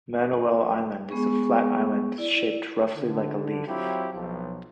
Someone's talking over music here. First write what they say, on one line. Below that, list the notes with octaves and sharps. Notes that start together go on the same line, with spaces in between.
Manoel Island is a flat island shaped roughly like a leaf.
G#3 B3 G#4 C#6
E4 D5
D3
F#3 C4 E4 F4 G4
B1 F3